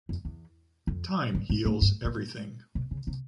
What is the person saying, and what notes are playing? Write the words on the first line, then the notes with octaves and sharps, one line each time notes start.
Time, heals everything.
F2
E2
F2
G2
G#2
A2
G2
A#2
B2
C#3
C3